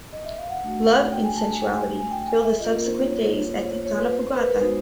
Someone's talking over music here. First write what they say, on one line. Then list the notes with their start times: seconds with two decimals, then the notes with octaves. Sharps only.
Love and sensuality fill the subsequent days at Donnafugata.
0.13 D#5
0.25 E5
0.38 F5
0.49 F#5
0.63 A3 D4 F#4
1.12 G5
1.24 G#5
1.36 A5
1.49 G#5
1.61 G5
1.73 G#5
1.86 G#5
1.99 G#5
2.11 G5
2.27 G#5
2.43 E5
2.60 A#3 C#4 F4 D#5
2.72 A#4
2.85 C5
2.98 C#5
3.55 C5
3.60 C#5
3.85 C#5
3.97 B4
4.09 C5
4.21 C5
4.34 B4
4.42 A#4
4.46 B4
4.59 G#3 B3 D#4 F#4 C5